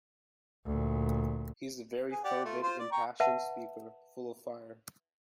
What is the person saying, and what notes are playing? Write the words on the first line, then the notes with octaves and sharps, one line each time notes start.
He is a very fervid, impassioned speaker — full of fire!
D2 A#2
G#4
G4 D5 F#5
A3 F4
F4 C5
D5
G5 A#5 C#6
B4 E5 F#5 A5